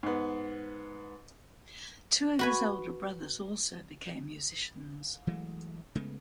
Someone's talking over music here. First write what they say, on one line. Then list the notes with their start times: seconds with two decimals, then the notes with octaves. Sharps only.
Two of his older brothers also became musicians.
0.03 G#2 B3
2.39 F#4 B4 G#5
5.27 E3 F#3 G#3 A3
5.95 C#3 G#3 A3 B3